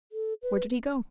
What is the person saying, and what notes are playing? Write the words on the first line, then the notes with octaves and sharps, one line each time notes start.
Where did he go?
A4
B4